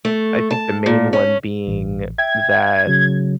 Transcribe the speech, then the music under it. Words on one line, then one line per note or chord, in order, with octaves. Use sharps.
I think the main one being that
A3
A5
A#2
C#4
A1
E5 G5 G#6
C#3 F#3